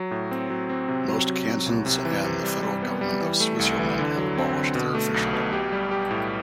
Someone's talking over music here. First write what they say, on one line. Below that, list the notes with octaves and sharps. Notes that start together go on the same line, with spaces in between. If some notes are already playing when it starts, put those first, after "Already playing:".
Most cantons and the federal government of Switzerland have abolished their officialdom.
Already playing: F#3
A2
C4
F#3
C4
C3
F#3
F#3
F#3
C2
C3
E3
C3
G3
G3
B3
G3
E3
A3
C2
E3
D3
F#3
C4
D3
B2
A3
B1
B2
G4
G3
G4
A2